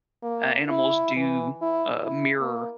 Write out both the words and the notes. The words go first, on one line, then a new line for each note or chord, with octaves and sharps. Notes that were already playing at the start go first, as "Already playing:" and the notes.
a animals do, uh, mirror,
A#3
E4
E3
E4
E4
A#3